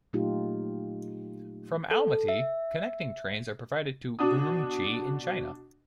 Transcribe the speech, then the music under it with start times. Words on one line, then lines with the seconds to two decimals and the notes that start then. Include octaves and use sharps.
From Almaty connecting trains are provided to Urumchi in China.
0.13 A#2 F#3 A3 D#4 F4 G4
1.91 A4
2.28 E5
4.19 B2 D4 F#4 D#6